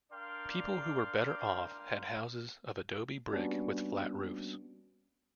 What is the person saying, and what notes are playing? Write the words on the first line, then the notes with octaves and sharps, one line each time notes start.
People who were better off had houses of adobe brick with flat roofs.
D4 A#4 D5 F5 G5 C6
G3 A#3 B3 C#4 D4 F#4